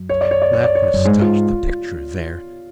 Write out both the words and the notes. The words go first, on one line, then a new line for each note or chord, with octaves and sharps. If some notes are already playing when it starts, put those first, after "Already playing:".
Blackness touched the picture there.
Already playing: F#2
C#5
D5
C#5
D5
C#5
D5
C#5
F#2
G#2
F4